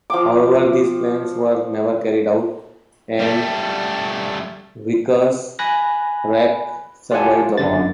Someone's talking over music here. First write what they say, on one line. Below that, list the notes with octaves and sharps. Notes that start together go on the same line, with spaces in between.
However, these plans were never carried out, and "Wicher"s wreck survived the war.
F3 G5 D6
G3 A3
G#5 B5 F#6 A#6
F4 G4 F#5 G#5 A5
G1 F#2 D3 A6